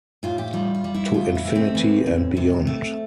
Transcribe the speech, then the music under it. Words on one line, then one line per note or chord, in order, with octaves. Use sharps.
To infinity and beyond!
A2 F4
G4
G3 F4
F4
G3
E4
A2 F4
E4
A3
C4
E3
A2
C3
A3